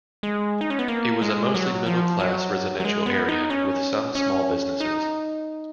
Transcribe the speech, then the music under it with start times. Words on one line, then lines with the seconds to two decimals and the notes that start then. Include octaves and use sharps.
It was a mostly middle-class residential area, with some small businesses.
0.23 G#3
0.61 D#4
0.70 C#4
0.79 B3
0.88 A#3
1.22 G#3
1.54 F#3
1.86 F3
2.19 F#3
2.80 F#3
2.85 G#3
3.06 B3
3.28 D#4
3.50 C#4
4.15 C#4
4.80 D#4